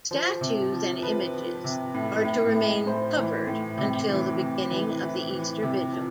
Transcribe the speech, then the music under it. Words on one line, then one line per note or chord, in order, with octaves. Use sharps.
Statues and images are to remain covered until the beginning of the Easter Vigil.
F3 C5
C3
F3
F3 B4
F3
C3
A2
A2
A2
A2 C5
E3
A2
C3
E3
C3
E3 B4
E3
E3
C3
F3